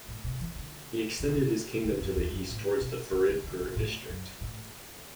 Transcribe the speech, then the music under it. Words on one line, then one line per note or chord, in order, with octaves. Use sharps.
He extended his kingdom to the east towards the Faridpur district.
A2
B2
E3
D3
D3
B2
D3
D3
F#2
E2
F#2
A2
B2
D3
D3
D3
D3
A2
F#2
A2